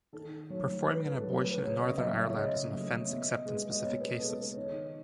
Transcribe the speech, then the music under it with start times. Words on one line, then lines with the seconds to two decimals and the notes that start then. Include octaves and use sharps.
Performing an abortion in Northern Ireland is an offence except in specific cases.
0.13 D#3 A4
0.50 F#3 A3 C#5
0.87 D#3 B4
1.11 A4
1.24 F#3 A3
1.36 B4
1.50 B4
1.60 C#3 C#5
1.79 D#5
1.90 D#5
1.98 F#3 A3 E5
2.16 E5
2.30 C#5
2.34 C#3 D#5
2.71 F#3 A3
3.09 B2
3.46 G#3 B3
3.71 D#5
3.82 B2 C#5
4.01 B4
4.19 G#3 B3 A4
4.38 B4
4.56 D#3 C#5